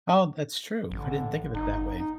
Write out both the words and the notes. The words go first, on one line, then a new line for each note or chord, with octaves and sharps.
Oh, that's true. I didn't think of it that way.
A1 D3
G1 D#4
D#4